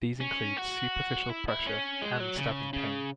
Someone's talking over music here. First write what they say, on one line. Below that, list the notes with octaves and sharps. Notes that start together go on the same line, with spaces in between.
These include superficial pressure and stabbing pain.
C#4
F#4
E4
E4
C#4
G#3
F#3
C#3
C#3